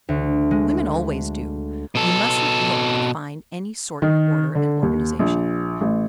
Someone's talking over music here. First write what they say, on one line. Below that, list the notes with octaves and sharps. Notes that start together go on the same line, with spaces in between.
"Women always do. We mustn't look to find any sort of order and organization."
D2
G#3
B2 A4
D#3
D3
D#2
A#1
A1